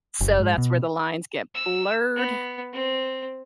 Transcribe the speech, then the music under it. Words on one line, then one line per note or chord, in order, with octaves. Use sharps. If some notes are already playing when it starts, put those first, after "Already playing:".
so that's where the lines get blurred.
F#1
G#2
B2
E6
B3
C4